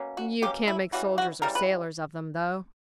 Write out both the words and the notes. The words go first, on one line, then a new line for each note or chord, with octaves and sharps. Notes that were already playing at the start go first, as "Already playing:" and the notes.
"You can't make soldiers or sailors of them, though."
Already playing: B2 A#3 C#4
F#4
B2 A#3 C#4 G4
E4
C#3 E3 G3 F#4
F#4
C#3 E3 G3 A#4
B4